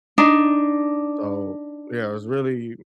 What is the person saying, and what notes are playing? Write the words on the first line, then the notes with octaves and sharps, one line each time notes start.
so, yeah, it's really
D4 D#4